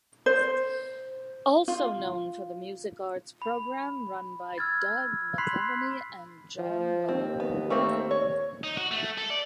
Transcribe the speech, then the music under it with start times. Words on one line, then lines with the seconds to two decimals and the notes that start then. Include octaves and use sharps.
Also known for the music arts program run by Doug McElhaney and John Wenning.
0.26 C5
1.68 F4
3.42 B5
4.58 E6 F6 G#6 A6
5.38 B5 C6 F#6 B6 C7
6.59 F3
7.09 D#2 C4
7.40 B3
7.70 A3 A#3 C4
8.11 C#5
8.64 D#4
8.77 F#4
8.91 A3
9.18 A4
9.30 D5